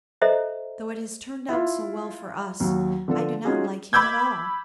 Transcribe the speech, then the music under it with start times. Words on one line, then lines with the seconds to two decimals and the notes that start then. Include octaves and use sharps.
Though it has turned out so well for us, I do not like him at all.
0.22 A4 C5 D#5 E5 A#5
1.49 E4 F4
2.60 D#2 F#3
3.08 D3 F3 A4
3.45 G#3 C#4 D#4 F4 F#4 G#4
3.93 B5 D6 E6 G6 G#6